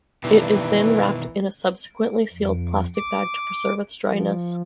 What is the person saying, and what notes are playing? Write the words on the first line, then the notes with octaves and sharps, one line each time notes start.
It is then wrapped in a subsequently sealed plastic bag to preserve its dryness.
G2 B2 D#3 E3 A#3
F2
D6
F3